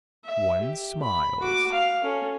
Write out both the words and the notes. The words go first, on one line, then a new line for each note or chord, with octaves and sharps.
One smiles.
E5
G4
B5
F#4 D6
F5
C#4 A4